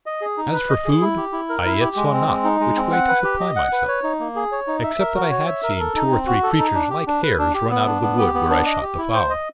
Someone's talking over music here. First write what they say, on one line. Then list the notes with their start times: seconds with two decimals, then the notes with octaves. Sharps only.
As for food, I yet saw not which way to supply myself, except that I had seen two or three creatures like hares run out of the wood where I shot the fowl.
0.06 D#5
0.21 G#4
0.37 D#4
0.53 B4
0.69 D#5
0.85 G#4
1.01 E4
1.17 G4
1.32 E4
1.49 A#4
1.65 E4
1.81 G4
1.96 G#3
2.13 C4
2.28 G#3
2.44 D#4
2.60 G#3
2.76 C4
2.92 F#5
3.08 B4
3.24 G4
3.40 D#5
3.56 F#5
3.72 B4
3.88 C#5
4.03 D#4
4.20 A#3
4.36 G#4
4.52 C#5
4.67 D#4
4.83 E5
4.99 A#4
5.15 F#4
5.31 C#5
5.47 E5
5.63 A#4
5.80 A4
5.95 D#4
6.11 C4
6.27 F#4
6.43 A4
6.59 D#4
6.75 D4
6.90 G4
7.07 D4
7.23 B4
7.38 D4
7.54 G4
7.70 B3
7.86 D4
8.02 B3
8.18 G4
8.34 B3
8.49 D4
8.66 D#5
8.82 G4
8.98 E4
9.14 C5
9.30 D#5